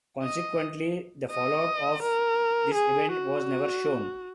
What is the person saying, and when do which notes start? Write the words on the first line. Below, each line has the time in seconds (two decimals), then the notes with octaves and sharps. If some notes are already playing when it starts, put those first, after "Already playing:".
Consequently, the fallout of this event was never shown.
0.23 D#5
1.31 D#5
2.03 A#4
2.74 G#4
3.12 F#4